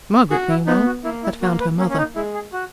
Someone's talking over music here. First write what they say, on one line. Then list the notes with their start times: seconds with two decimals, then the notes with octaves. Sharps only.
Margaret meanwhile had found her mother.
0.30 F#4 G#4
0.50 E4
0.67 B3 D#4
0.86 F#4
1.04 A#3 E4
1.23 E4
1.42 A#3 F#4
1.60 B4
1.78 A#3 C#4
1.89 C#4
1.98 D#4
2.16 G#3 E4
2.34 G#4
2.53 F#4